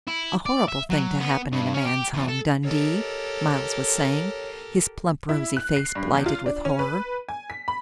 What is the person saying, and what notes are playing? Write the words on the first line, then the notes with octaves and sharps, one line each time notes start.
"A horrible thing to happen in a man's home, Dundee," Miles was saying, his plump, rosy face blighted with horror.
E4
D5
E5
F#3
B3
G2
C#4
G4
E2
A4
G4 A4 A#4 C#5 D#5
E4
F#6
C7
G2
E2
F4
D4
C#4
B4
G#5
B6
B5